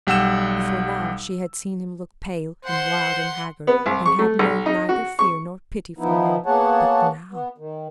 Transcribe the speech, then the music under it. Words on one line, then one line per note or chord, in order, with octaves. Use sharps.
Before now she had seen him look pale and wild and haggard, and had known neither fear nor pity for him. But now!
B1 G3 F#5 E6 E7
C5 F#5 C6
B3
C2
C#6
A3
B1
D#4
F#4
C#6
F3 B3 D#4 E4
A#3 B3 G#4 C#5 F#5 A5
B3
D#3